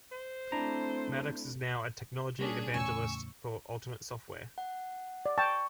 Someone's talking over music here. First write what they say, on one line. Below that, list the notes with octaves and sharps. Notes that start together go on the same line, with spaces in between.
Maddox is now a technology evangelist for Ultimate Software.
C5
A3 C4 D4 E4 A#5
G3 A#3 C#4 D4 G#4
E2 A2 C#3 G#5 C#6 E6
F#5
D5
G5 A5 C#6